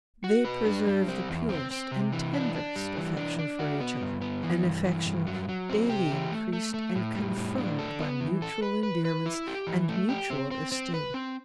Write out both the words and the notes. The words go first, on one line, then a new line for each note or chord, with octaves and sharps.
They preserve the purest and tenderest affection for each other, an affection daily encreased and confirmed by mutual endearments and mutual esteem.
F#4
B4
D4
G3
C4
E2
C4
C4
C3
E3
D4
D4
G3
E3
D4
D4
F#4
B3
G2
B3
E3
G2
E3
G2
F#3
F#3
C4
G4
E3
A3
A3
A3
A2
G3
A2
D4
A4
B3
E3
A4
B4
B4
B4
E4
G4
E3
A3
G4
C4
C4
C4
B4
C4